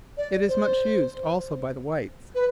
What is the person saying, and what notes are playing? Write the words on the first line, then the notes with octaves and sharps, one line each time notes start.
It is much used also by the whites.
D5
C5
B4